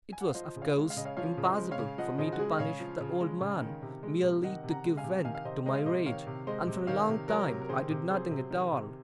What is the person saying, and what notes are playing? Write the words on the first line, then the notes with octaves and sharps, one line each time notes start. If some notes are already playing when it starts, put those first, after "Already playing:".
It was, of course, impossible for me to punish the old man merely to give vent to my rage; and for a long time I did nothing at all.
G#5
F#5
F5
F3 C5 D#5
C#3
C#5 F5
G#3
F5
C#3 D#5
C#5 F5
F3 C#5 F5
C#3
C5 D#5
G#3
C#5 F5
C#3
F3 D#5 F#5
C#3 C5 D#5
F#4
G#3 G#4
D#5
C#3 C#5 F5
F3
C#3
G#3
C#3
D#3
C3
G#3
C3
D#3 D#5 F#5
C3
F#5 A#5
G#3
F5 G#5
C3
D#3 F5 G#5
F5
C3 C5 D#5
G#3 C5 D#5
F5
C3 C5 D#5
D#3 C#5 F5
C3
G#3 C5 D#5
C3
D#3 C#5 F5
C3
F#3 A#4 C#5
C3
A#4
D#3 G#4 C5
C3
F#3 G#4 C5
C3
D#3
C3